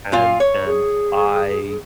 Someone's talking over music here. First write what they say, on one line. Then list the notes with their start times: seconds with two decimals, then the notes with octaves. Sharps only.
and and I
0.12 A#2 F4 F5
0.40 C#5
0.65 G#4